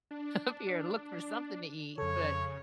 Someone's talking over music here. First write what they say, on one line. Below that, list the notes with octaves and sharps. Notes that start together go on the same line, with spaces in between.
up here and look for something to eat, but,
D4
F2 C#3 A4 C#5